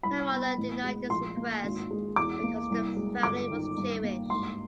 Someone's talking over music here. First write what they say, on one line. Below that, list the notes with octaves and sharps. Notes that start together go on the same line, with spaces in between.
Her mother denied this request because the family was Jewish.
C2 B5
B3
A1
G#3
A#1 C6
A#3
G#1
G#3
E2 D6
A#3
C2
G#3
G1 D6
D#3
G2
A#3
G#2 C6